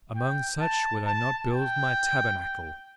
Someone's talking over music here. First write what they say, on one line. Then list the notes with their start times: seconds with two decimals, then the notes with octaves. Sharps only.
Amongst such would I not build my tabernacle.
0.16 G5
0.61 A5
1.06 A5
1.51 G5